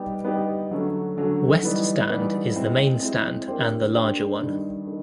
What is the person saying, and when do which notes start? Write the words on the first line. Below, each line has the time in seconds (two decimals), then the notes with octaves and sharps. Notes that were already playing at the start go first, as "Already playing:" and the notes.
West Stand is the main stand and the larger one.
Already playing: G3 B3 D#4 G4
0.24 G3 B3 D#4 G4
0.71 D3 F#3 A3 C#4
1.17 D3 F#3 A3 C#4
1.63 E3 G3 B3 D#4
2.09 E3 G3 B3 D#4
2.55 G#3 C4 E4
3.01 G#3 C4 E4
3.48 A#3 D4 G4 C5
3.94 A#3 D4 G4 C5
4.40 G2 D#3 G3
4.87 D#3